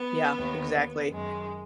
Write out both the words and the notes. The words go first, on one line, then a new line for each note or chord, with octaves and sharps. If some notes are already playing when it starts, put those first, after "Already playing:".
Yeah, exactly.
Already playing: B3
D#2 D#3
F#2 D#3 G#3